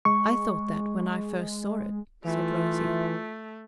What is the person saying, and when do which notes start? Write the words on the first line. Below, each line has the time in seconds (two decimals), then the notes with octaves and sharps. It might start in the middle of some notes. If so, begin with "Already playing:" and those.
"I thought that when I first saw it," said Rosy.
0.05 G#3 C#6
2.24 E3 A3 F4